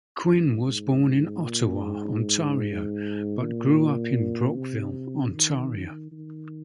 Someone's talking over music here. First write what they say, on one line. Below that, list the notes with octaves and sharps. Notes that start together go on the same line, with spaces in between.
Quinn was born in Ottawa, Ontario, but grew up in Brockville, Ontario.
G2
G#2
A#2
G#2
A#2
C3
D#3
D#3